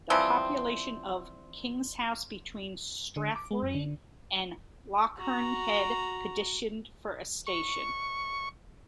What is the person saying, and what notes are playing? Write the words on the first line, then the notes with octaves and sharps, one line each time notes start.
The population of Kingshouse, between Strathyre and Lochearnhead, petitioned for a station.
E3 F3 G3 C4
D3
D6
G#3
F#2
D3
F#4 A#5
C#6